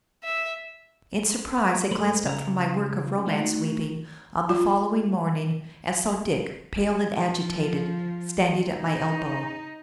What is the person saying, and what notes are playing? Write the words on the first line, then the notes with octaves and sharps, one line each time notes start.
In surprise I glanced up from my work of romance-weaving on the following morning, and saw Dick, pale and agitated, standing at my elbow.
E5
G2 A3 C5 B5
C#3 F5 A#5
G#3 D#4 B4 D5 F5 G5
A3 D#4 F#4
F4
F3
D#4